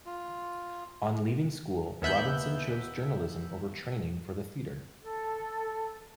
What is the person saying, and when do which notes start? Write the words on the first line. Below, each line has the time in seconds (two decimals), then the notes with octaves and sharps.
On leaving school, Robinson chose journalism over training for the theatre.
0.06 F4
2.02 D#2 B3 E5 F#6 G6
5.01 A4